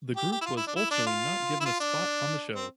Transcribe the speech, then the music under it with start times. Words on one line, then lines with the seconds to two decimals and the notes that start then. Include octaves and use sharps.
The group was ultimately not given a spot on the show.
0.17 G4
0.32 G4
0.41 E4
0.46 F4
0.57 E4
0.67 D4
0.76 E4
0.91 D4
1.06 F4
1.60 E4
1.65 F4
1.80 D4
2.55 C4